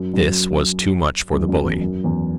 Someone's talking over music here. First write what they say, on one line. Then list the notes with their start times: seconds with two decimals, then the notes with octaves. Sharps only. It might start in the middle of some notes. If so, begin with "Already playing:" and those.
This was too much for the bully.
Already playing: F#2
0.14 F#2
1.33 F#2
1.49 F#2
1.65 E2
1.81 F#2
2.04 E2